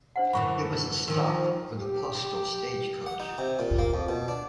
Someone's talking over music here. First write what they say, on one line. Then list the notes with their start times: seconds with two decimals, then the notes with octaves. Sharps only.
It was a stop for the postal stagecoach.
0.16 D4 C5 F#5
0.33 F#2 D3 E3 B5 C#6
1.08 D#3 F3 E6
1.77 G4
3.06 F#5
3.20 D#4
3.38 C3
3.59 A#2
3.79 A#3
3.94 F2
4.09 B2
4.28 D4